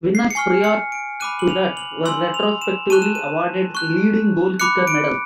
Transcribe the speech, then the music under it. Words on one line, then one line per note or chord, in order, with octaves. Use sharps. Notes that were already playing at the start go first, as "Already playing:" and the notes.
Winners prior to that were retrospectively awarded Leading Goalkicker Medals.
C7
C#7
G#5 C#6 F6 C7
C#7
D7
B5 D6 F#6 D#7
F#7
F7
F#7
G#5 C6 E6 F#7
F7
E7
A5 C#6 F#6 D#7
E7
D#7
C#6 F#6
B5 D6 F#6 C#7
D7